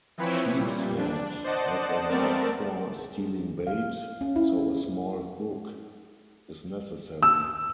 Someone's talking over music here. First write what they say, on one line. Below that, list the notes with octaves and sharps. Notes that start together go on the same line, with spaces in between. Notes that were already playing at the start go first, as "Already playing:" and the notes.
Sheepshead have a knack for stealing bait, so a small hook is necessary.
E3 F3 C4 E4 B4 C#5
A#2 G3
D4
C5 D5 D#5 F#5 A5
A3 B3 C4 A#4 D5 A5
G#4
F5
C#4
E4
E6